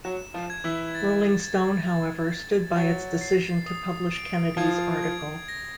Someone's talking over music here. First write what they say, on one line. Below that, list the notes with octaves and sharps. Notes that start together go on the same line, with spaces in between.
"Rolling Stone", however, stood by its decision to publish Kennedy's article.
F#3 F#4 E7
F3 F4
G#6
E3 E4
A6
A6
A6
A6
F#3 F#4 A6
C7
D#6
D7
F3 F4 G#6
G#6
A#6